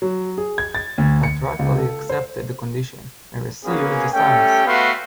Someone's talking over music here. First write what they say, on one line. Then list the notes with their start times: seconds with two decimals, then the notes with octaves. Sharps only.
Patrakali accepted the condition, and received the sons.
0.02 F#3
0.38 G#4
0.58 G#6
0.75 A6
0.98 D2
1.23 C#7
1.59 C#2
1.78 A4
2.09 C5
3.65 A#3 B3 C#4 F#4 G#4
4.13 G3 A3 C#4 A4 G5
4.66 A3 B3 F#4 B4 F5 C6